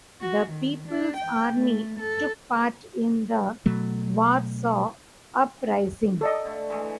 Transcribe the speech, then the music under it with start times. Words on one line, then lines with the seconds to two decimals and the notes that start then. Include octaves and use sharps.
The People's Army took part in the Warsaw Uprising.
0.21 F#4
0.50 D#3
0.88 D4
1.17 G5
1.53 A3
1.99 A4
3.66 B2 F#3 A3
6.21 A4 D5 D#5
6.45 D3 A3
6.69 E3 G#3 A3